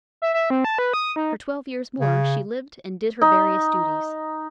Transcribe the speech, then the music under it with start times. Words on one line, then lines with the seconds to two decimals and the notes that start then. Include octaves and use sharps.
For twelve years more she lived and did her various duties.
0.22 E5
0.34 E5
0.50 C4
0.64 A5
0.78 B4
0.94 D#6
1.16 D#4
2.00 C#3
3.22 D#4